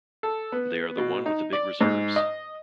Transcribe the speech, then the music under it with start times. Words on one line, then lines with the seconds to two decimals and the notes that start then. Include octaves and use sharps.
They are the one with the big reserves.
0.23 A4
0.52 B3
0.98 B2
1.26 D#4
1.53 D5
1.81 G#2
2.16 D#5